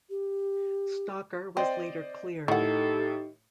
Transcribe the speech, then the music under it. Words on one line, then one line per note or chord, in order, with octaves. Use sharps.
Stalker was later cleared.
G4
C4 C5 D5 D#5
A2 D#3 D#4 G4 A4 F#5